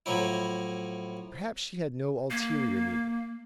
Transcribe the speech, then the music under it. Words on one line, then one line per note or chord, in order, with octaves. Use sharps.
Perhaps she had no ulterior meaning.
A2 F3 F#3 E4
A#3